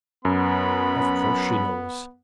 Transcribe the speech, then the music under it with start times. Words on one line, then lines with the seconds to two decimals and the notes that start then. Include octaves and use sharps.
'Of course she knows.
0.25 F#2 B3 B5